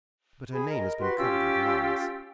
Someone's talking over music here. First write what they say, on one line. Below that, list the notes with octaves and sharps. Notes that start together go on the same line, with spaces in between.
"But her name has been covered with lies."
G#4 B5
A#4 D#5
F#4 G4 B4 C6
C#4 F4 G4 E6